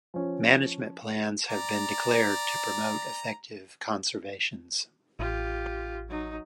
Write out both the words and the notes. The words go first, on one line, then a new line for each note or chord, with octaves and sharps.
Management plans have been declared to promote effective conservations.
F3 C#4
D5 A#5
A1 F4 G4
F#3 D#4